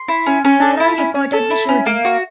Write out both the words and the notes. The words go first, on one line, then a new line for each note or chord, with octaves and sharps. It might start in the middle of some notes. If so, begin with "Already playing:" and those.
Molloy reported the shooting.
Already playing: C6
E4
C#4
C#4
A4
E4
C#4
C#4
A4
E4
C#4
A#3
F#4